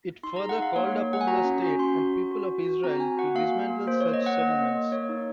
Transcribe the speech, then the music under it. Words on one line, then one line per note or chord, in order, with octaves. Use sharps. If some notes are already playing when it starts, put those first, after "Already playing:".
It further called upon the State and people of Israel to dismantle such settlements.
D#4 C6
A#5
G#4
F#5
D#4 F5
A#3 C#5
A#3
A#3 F#5
G#5
F#4 A#5
C#4
F#4
C#4 C6
F#4
F#4
F#4
F#4
F#4
C4 A#5
F#4 G#5
F#4 F#5
A#3 F5
A#3
A#3
A#3 C5
C#5
A#3
D#5
A#3 F#5
A#3 D#5
A#3
A#3
A#3 C#5
D#4